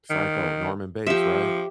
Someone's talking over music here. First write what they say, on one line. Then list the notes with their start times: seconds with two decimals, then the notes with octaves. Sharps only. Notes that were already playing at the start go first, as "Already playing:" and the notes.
Psycho, Norman Bates right?
0.10 D#3
1.07 F3 G4 E5